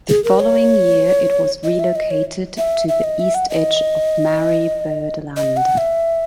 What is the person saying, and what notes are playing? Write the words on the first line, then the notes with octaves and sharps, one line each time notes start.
The following year it was relocated to the east edge of Marie Byrd Land.
G#4
A#4
C#5
D#5
E5
D#5
C#5
E5
E5
D#5
E5
F#5
D#5
D#5
F#5
E5